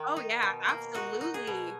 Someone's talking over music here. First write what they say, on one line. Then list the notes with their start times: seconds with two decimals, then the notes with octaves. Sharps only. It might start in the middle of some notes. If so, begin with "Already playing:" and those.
Oh, yeah, absolutely!
Already playing: D#3
0.17 D#4
0.42 B2
0.69 A#3
0.94 D#4 F#4
1.21 D#4
1.34 G#4
1.47 B2